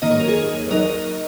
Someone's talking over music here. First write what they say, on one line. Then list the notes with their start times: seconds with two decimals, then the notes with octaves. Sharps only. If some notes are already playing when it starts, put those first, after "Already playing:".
some of the equipment that I've
0.02 D#3 A#3 D#4 D#5
0.11 C#5
0.20 A#4
0.29 G#4 C#5
0.71 F#3 D#4 A#4 D#5